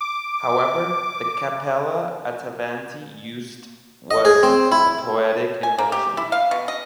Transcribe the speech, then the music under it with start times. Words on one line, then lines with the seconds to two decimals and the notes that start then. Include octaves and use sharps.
However, the Cappella Attavanti used was a poetic invention.
0.01 D6
4.11 D#5
4.25 G#4
4.43 C4
4.72 E4
5.63 G#5
5.78 A#3
5.92 G4
6.17 E4
6.32 F5
6.51 B2
6.68 D#5